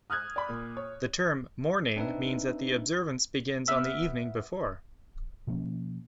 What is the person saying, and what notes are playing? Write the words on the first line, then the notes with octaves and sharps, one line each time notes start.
The term "morning" means that the observance begins on the evening before.
D#6 F6 F#6 G#6
D5 B5
A#2
C#5
C4 D4 D#4 B4 E5
B3 E5 E6 F6
B2 F3 A#3 C#4